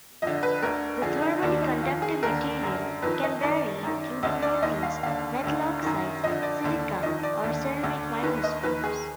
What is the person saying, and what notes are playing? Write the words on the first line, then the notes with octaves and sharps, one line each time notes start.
The thermally conductive material can vary including metals, metal oxides, silica or ceramic microspheres.
F2 D3 D#5
B4
D2 D3 A#4
F2 D3 G#4
D#4
D#2 D#3 D4
D#4
F2 D#3 F4
G#4
D#2 D3 A#4
F#2 D3
F2 D#3 B4
D#5
F#2 D#3 D5
F#2 D#3
D2 D3 D#5
D5
D#2 D#3 D#5
F5
D#2 D3 F5
D2 D3
F#2 D#3
F2 D3 D#5
D5
D#2 D3
F2 D#3 D#5
D5
D#2 D3
D2 D3
D#2 D#3 B4
D#5
D#2 D#3 B4
G#4